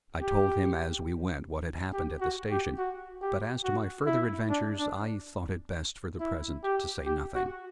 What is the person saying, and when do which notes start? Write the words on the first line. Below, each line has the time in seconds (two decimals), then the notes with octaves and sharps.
I told him, as we went, what had happened at the Station, but as to my further adventures I thought it best, for the present, to say nothing.
0.21 G4
1.93 G4
2.21 F#4
2.50 G4
2.78 F#4
3.21 G4
3.64 F#4
4.06 E4
4.50 D4
4.78 D4
6.20 E4
6.63 G4
7.06 G4
7.35 F#4